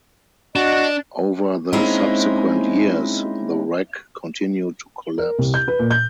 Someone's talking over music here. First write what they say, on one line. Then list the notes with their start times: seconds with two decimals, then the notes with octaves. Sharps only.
Over the subsequent years, the wreck continued to collapse.
0.56 D4 F#4 D#5
1.73 G#3 A#3 C4 C#4 D#4 E4
5.18 A#4
5.39 C2
5.54 G6
5.68 B4
5.79 A#2
5.91 G6